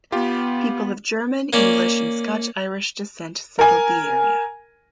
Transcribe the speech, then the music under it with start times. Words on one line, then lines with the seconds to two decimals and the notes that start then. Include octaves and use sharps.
People of German, English, and Scotch-Irish descent settled the area.
0.12 B3 F4 G4
1.53 A#3 C#4 D5
3.59 A#4 G#5